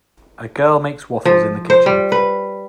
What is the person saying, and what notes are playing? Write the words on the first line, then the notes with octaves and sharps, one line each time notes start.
A girl makes waffles in the kitchen.
F3
C5
G3
B4